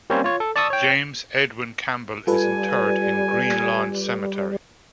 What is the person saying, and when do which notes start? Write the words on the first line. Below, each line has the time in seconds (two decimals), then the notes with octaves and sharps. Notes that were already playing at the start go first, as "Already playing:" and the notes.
James Edwin Campbell is interred in Green Lawn Cemetery.
0.10 G3 A#3 C4 C#4 C5 C#5
0.24 F4 C#5
0.40 A4
0.56 D5 A5 C#6 D#6 E6
0.70 C#5 G5
2.27 G3 F4 A4 B4 G#5